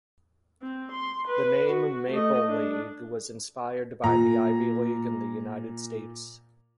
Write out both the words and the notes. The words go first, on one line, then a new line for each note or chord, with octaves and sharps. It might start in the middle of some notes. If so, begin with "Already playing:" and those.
The name "Maple League" was inspired by the Ivy League in the United States.
C4
C6
B4
F#4
A3 D#5
D4
A#2 A#5